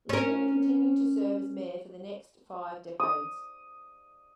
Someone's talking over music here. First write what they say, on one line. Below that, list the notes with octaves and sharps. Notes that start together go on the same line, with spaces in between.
Linn continued to serve as mayor for the next five decades.
C#4 A#4
D#6